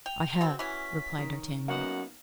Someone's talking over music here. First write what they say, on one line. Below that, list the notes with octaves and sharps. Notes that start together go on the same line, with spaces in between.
"I have," replied D'Artagnan.
G5 F7
B2 C4 F#4
E3 C#4 B6
D#3
F#2 A#3 B3 D#4 F#5